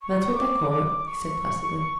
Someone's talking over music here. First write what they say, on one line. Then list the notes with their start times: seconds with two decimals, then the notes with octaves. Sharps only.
"That's what they call it," he said, placidly.
0.02 C#6
0.35 D6
0.70 D6
1.04 D6
1.07 C#6